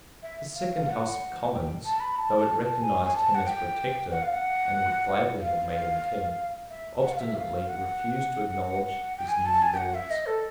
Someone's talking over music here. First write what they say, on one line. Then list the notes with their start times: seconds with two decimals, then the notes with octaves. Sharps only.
His second House of Commons, though it recognised him as Protector, and would gladly have made him King, obstinately refused to acknowledge his new Lords.
0.23 E5
0.55 F5
0.71 F5
0.81 F5
0.88 F#5
1.52 G5
1.85 A5
2.00 B5
2.16 A5
2.38 A5
2.60 A5
2.81 G#5
3.05 G#5
3.15 A5
3.35 F#5
3.46 G5
4.12 F#5
4.22 F5
4.33 F#5
5.41 F5
6.70 E5
7.02 F#5
7.12 F5
7.18 E5
7.35 F5
7.67 F#5
9.18 G5
9.29 G#5
9.45 A5
9.62 G#5
9.73 G5
9.77 F#5
9.94 E5
10.10 D#5
10.26 A4